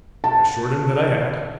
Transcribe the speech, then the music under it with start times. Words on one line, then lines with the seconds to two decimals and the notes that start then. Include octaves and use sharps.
I assured him that I had.
0.24 A5